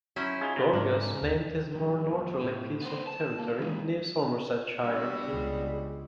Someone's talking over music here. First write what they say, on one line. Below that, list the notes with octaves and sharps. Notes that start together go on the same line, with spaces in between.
Gorges named his more northerly piece of territory New Somersetshire.
F#3 C#4 E4 C5
D#4 F4 G#4
C3 F4 F#4
G#2 D4 A#4
D#2
C2 F2
A2
B3 C5
A5
A#3
E3 G#3
G3 B3 D4 F#4 E6
C#2 G#4